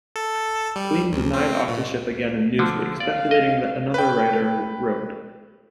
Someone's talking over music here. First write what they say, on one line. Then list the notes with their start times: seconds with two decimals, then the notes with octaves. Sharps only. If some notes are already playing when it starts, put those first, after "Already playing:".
Klein denied authorship again in "Newsweek", speculating that another writer wrote it.
0.16 A4
0.76 G3
1.12 D2
1.33 C4
1.68 A#2
2.59 D3 F3
3.00 D5 F5
3.31 D#5
3.94 B4 G5